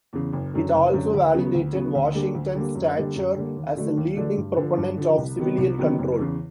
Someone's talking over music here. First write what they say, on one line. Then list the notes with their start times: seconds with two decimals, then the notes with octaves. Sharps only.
It also validated Washington's stature as a leading proponent of civilian control.
0.13 E2 C#3
0.33 F#1
0.54 F#2 D3
0.73 F#1
0.93 F#2 D3
1.14 D2
1.34 C#3 F#3 B3
1.54 D2
1.74 C#3 F#3 B3
1.95 D2
2.15 D3 G3 A#3
2.34 D2
2.55 D3 G3 A#3
2.75 F#2
2.95 D3 G3 A#3
3.15 F#2
3.36 D3 G3 A#3
3.56 D#2
3.76 D3 F#3 A3 D4
3.97 D#2
4.16 D3 F#3 A3 D4
4.37 G2
4.57 D3 F3
4.77 G2
4.98 D3 F3
5.18 C2
5.38 C3 D#3 F#3 B3
5.58 C2
5.78 C3 D#3 F#3 B3
5.98 F#1
6.19 E2 C#3